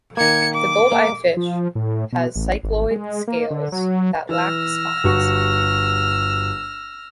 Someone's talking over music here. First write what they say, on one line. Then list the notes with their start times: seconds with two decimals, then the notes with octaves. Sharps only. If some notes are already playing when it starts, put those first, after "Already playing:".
The Goldeye fish has cycloid scales that lack spines.
0.17 D#3 A#3 G#6 C#7
0.54 D6
0.92 A#3
1.37 F3
1.75 A2
2.12 B2
2.36 A1
2.63 G#1
2.91 G#3
3.28 A#3
3.50 D3
3.72 F#3
4.29 E3 E6 F6 A#6
5.04 G1 F#4 C#6